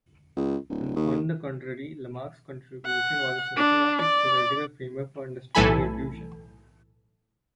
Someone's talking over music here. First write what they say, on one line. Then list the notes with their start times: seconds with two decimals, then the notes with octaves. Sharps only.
On the contrary, Lamarck's contribution was a systematic theoretical framework for understanding evolution.
0.37 C#2
0.70 D1
0.96 D#2
2.86 F#5
3.58 D4
4.02 D5
5.55 B1 A2 E3 A4 G#5 B5